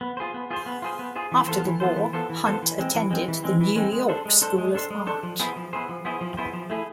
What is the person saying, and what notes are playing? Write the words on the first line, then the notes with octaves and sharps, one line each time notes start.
After the war, Hunt attended the New York School of Art.
B3
F4 G#4 C5
B3
F4 G#4 C5
B3
F4 G#4 C5
B3
F4 G#4 C5
E3
B3 F4 A4 C5
E3
B3 F4 A4 C5
E3
B3 F4 A4 C5
E3
B3 F4 A4 C5
E3
G#3 C4
E3
G#3 C4
E3
G#3 C4
E3
G#3 C4
G#3
D4 A4 C5
G#3
D4 A4 C5
G#3
D4 A4 C5
G#3
D4 A4 C5
F3
B3 E4 G#4 C5
F3
B3 E4 G#4 C5
F3
B3 E4 G#4 C5
F3
B3 E4 G#4 C5
F3
A3 E4 G#4